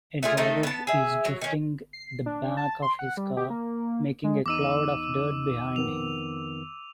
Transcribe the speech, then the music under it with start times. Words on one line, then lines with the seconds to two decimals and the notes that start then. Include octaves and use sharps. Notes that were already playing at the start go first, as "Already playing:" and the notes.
A driver is drifting the back of his car, making a cloud of dirt behind him.
0.23 A3 F4 G#4
0.37 D#3 A3 C4 D#4
0.63 B3 A5
0.87 G#4 E5
1.25 F#3
1.41 D#3 C#4
1.93 C7
2.26 D4
2.57 A5
2.82 C6
2.99 F#5
3.17 G3
3.37 G4
3.50 A#3
4.24 G#3
4.46 E2 D#4 D6 E6 D#7
5.76 F2 D#3 B3 F7